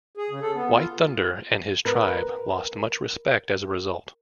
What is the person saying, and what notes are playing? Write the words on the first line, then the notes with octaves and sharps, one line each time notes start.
White Thunder and his tribe lost much respect as a result.
G#4
C#3
A4
B3
F4
A#4 B4